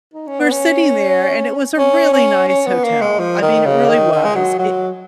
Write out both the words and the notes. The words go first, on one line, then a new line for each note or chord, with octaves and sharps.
we're sitting there and it was a really nice hotel, I mean, it really was, it
D#4
C#4
B3
C#4
C#4
C#4
C#4
B3
A#3
G#3
F3
D#3
C#3
D#3
D#3
G#3
F#3
F#3